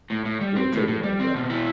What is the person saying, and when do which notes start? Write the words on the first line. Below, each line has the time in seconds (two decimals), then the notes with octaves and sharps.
they would take it like that.
0.10 A2
0.25 A2
0.41 G3
0.56 C4
0.73 A2
0.88 A2
1.03 G3
1.19 C4
1.34 B2
1.50 E4